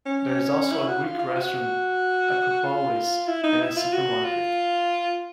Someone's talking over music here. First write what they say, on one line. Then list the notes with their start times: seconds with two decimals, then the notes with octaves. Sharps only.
There is also a Greek restaurant "Akropolis" and a supermarket.
0.06 C#4
0.72 E4
0.88 F#4
1.03 F4
1.19 F4
1.36 F#4
2.64 F4
3.28 E4
3.44 D#4
3.61 E4
3.76 F4
3.93 F#4
4.25 F4